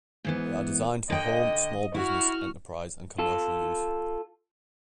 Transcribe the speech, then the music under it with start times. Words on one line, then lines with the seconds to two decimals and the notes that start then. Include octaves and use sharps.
They are designed for home, small business, enterprise and commercial use.
0.25 G#2 E3 B3
1.10 D3 D#5 G5
1.94 E4 F#4 F6
3.18 F4 A4